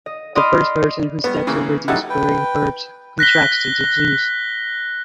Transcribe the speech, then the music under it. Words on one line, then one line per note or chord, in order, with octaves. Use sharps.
The first person who steps over these buried herbs contracts the disease.
D#5
D5 D#5 B5 C6 D6 F6
G2 B3
C#3 E3 A#3
F#3 G3 D#4 E4 A4 F#5
B4 G5
F#6 A#6 B6 G7